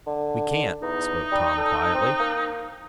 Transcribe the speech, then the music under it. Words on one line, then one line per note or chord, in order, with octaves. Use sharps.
"We can't," spoke Tom, quietly.
D3
E2 D#4
G3
A4
C4
A#3